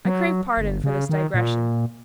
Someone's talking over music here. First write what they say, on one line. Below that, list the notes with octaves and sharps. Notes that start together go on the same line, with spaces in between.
I crave pardon for this digression.
F#3
G1
C#3
D#3
A#2